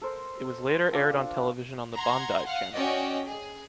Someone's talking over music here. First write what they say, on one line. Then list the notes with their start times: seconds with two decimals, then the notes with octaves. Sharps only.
It was later aired on television on the Bandai Channel.
0.01 A4 A#4 C5
0.91 D4 F4 A4 G5
1.94 F#5 A#5 C6 G#6
2.45 F5 F#5
2.74 C#4 F#4 D5 D#5 G5
3.27 G#4